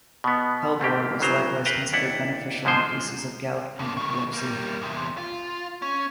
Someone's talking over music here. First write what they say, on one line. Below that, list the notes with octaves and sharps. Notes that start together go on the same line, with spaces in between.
Hellebore was likewise considered beneficial in cases of gout and epilepsy.
B2 B3
G#2 A3 A#3 G4
G1 C#3 F#3 C5 A#5
A#4 B4 F5 G5 A#5
D#2 D4 E4 F#5
G#2 D3 F3 G#4 C5
F2 A#3
B2 D#3
G3 A#3
E2 C3
F4
C#4